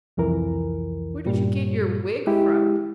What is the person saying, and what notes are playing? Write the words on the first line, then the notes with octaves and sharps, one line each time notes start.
Where did you get your wig from?
C2 F2 E3 A#4
G2 A#2 G3
G#3 E4 G4